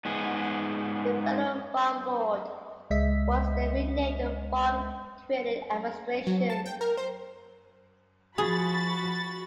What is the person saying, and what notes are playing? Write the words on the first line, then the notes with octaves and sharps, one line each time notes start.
The Federal Farm Board was then renamed the Farm Credit Administration.
G#2 B3 G#4
C#2 G#3 D#5 E5 B6
F#3
A5
G5
A#4
C5
F3 F#4 G#4 B5 A6